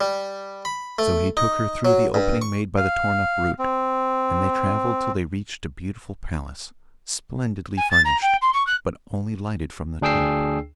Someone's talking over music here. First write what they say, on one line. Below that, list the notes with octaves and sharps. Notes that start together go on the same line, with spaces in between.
So he took her through the opening made by the torn-up root, and they travelled till they reached a beautiful palace, splendidly furnished, but only lighted from the top.
G3
B5
A3
D#4
F#3
G2
C#6
F5
C4
G#5
A6
A#5
G5
C6
C#6
F#6
D2 D4 G#4 G5 E6 C7